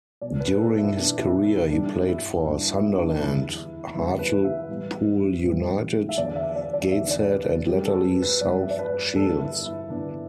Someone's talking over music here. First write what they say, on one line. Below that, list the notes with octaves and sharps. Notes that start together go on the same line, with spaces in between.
During his career, he played for Sunderland, Hartlepool United, Gateshead and latterly South Shields.
B2 B3 D5
B4
A4
E4
B2 B3 D4
E4
E4
G2 G3 B3 D4
E4
G2 G3 B3 D4
E4
D4
E2 D3 G3 B3 E4
E2 D3 G3 B3 E4
B4
E5
A2 E3 G3 B3
A2 E3 G3 B3
E5
E2 D3 B3 D5
E5
D5
D5
E2 D3 B3 E5
D5
B4
G2 G3 B3 G4
A4
B4
B4
G2 G3 B3 D5
E5
D5
B4
G2 D3 B3 A4
E4
E4
G2 D3 B3 D4